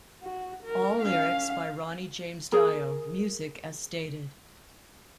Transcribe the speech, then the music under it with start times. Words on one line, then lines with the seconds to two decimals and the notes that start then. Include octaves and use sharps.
All lyrics by Ronnie James Dio, music as stated.
0.23 F#4
0.63 A#4
1.02 C#4 F5
2.52 G#4 A#4